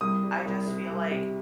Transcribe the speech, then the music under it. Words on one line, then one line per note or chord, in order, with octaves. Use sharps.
I just feel like
C2 D#6
G3
C2
C3
C2
C3